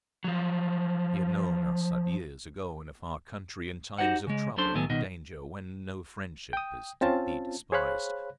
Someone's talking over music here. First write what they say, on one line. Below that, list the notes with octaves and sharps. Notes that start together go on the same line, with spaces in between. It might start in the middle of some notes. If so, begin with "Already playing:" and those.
He had known Arsat years ago, in a far country in times of trouble and danger, when no friendship is to be despised.
F3 F#3
D#4 F#4 G4 C5 F#5
C#3 G#3
F#3 C#4 D4 A4 C5 C6
A2 D#3 F#3 B3 A4 G#5
C2 B2 D#3 D#5
G5 D#6
C4 C#4 F4 A5
G#4 C5 C#5 F5 B5 F#6